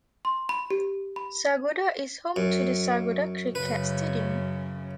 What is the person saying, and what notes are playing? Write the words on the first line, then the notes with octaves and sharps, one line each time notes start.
Sargodha is home to the Sargodha Cricket Stadium.
C6
B5
G4
B5
F#2
F#2 C#3 B4